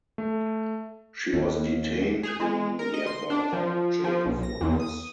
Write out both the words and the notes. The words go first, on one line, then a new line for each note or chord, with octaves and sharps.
She was detained in Yerwada Jail for this.
A3
D#2
G#4
G#3
A#4
D#5
C6
D4
F3
F3
B1
A#6
E2
D#6